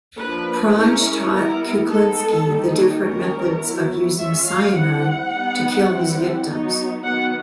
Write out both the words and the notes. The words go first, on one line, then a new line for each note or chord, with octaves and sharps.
Pronge taught Kuklinski the different methods of using cyanide to kill his victims.
F3 A#3 D4 B4
G#3 C#4 E4 A#4
G3 B3 E4 A#4
G#3 B3 D#4 A4
D#3 G3 A#3 D#4
D#3 G3 A#3 C#4 A#4
F#3 B3 E4
G#3 C#4 F4 E5
F5
G3 C4 E4 F#5
G3 B3 D#4
G3 C4 E4
F#3 B3 D#4
D#3 F#3 B3 F#5